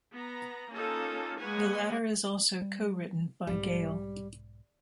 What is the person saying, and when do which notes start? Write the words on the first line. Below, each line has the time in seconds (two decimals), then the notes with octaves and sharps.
The latter is also co-written by Gale.
0.13 B3 A#5
0.72 A#3 C#4 D#4 F4 A4
1.39 G#3 A#3 B4 C#5 F#5 G#5
2.62 G3
3.47 B1 G#2 G3